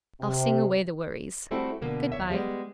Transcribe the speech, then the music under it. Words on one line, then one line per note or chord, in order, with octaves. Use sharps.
I'll sing away the worries, Good-bye.'
C3
G3 A3 C4 E4 F#4 A4
B2 D3 A#3
D#2 G#2 C#5 E5
G3 G#3 B3